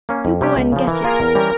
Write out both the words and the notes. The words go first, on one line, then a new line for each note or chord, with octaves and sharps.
You go and get it.
A#3 C#4
F2
C3 G3 C#4 G4
C#2
C#3 F3
E3 A#4
A#3 F4 G#4
E2
E3 G3 C#4